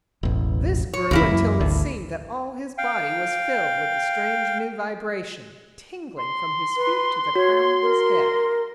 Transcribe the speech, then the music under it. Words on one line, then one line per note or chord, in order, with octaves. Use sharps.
This grew until it seemed that all his body was filled with the strange new vibration, tingling from his feet to the crown of his head.
E1 A1
C#5
E1 C#2 E3 A#3 E4
F#2
G#1 D2
F5 G5
C6
B4
F#4 C#5
A#4